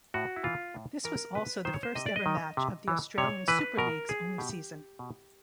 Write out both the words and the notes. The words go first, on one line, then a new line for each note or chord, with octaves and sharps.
This was also the first ever match of the Australian Super League's only season.
A2 F#4
E4
E3 F4
A2
E3 A#4
C3 B4
D#3 C5
C#5
C5
C3 D#5
D5
D#5
D#3
C3
E3
C3 C#5
E3 B4
B2 A#4
G#4
B2 G4
B2